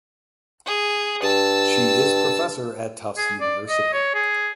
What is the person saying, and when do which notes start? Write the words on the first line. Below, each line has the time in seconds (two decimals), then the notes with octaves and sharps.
She is professor at Tufts University.
0.66 G#4
1.23 G2 A5 E6
3.17 G#4
3.41 D5
3.69 D#5
3.93 C#5
4.14 G#4